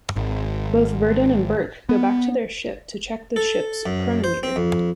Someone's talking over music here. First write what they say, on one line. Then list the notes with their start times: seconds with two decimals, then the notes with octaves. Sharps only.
Both Virdon and Burke go back to their ship to check the ship's chronometer.
0.16 G#1
1.89 B3
3.36 A4
3.86 F#2
4.24 C5
4.43 C4
4.56 F2